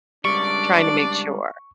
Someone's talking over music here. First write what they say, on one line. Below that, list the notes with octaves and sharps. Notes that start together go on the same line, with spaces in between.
trying to make sure."
C#2 G3 D4 D5 C#6